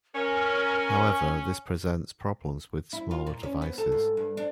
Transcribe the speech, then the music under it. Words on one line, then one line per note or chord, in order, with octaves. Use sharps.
However, this presents problems with smaller devices.
C#4 A#4
E4
F4
A#2
C#4
B3
A4
G#2
G2
D4